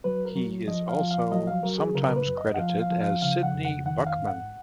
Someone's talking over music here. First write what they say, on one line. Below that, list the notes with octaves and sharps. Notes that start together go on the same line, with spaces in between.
He is also sometimes credited as Sydney Buchman.
F#3 B4
A#4
F#3
F3 D#5
F5
F3
F5
F#3 D#5
F5
F#3 A#4
G#4
C#3 A#4
A#4
B4
F#2
D#5
F#5
F3 F5
F5
F3
F5
C#3 F5
F#5
F2
F#5
D#3 F#5
F5
G#2
F#5